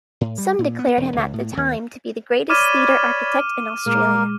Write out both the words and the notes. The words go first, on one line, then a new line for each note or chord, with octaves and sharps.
Some declared him at the time to be the greatest theatre architect in Australia.
A2
G3
A#2
B3
E1
C#2
A2
D#2
C#5 D5 B5 D6 F6 D#7
A#2 G#3 A#3 A#4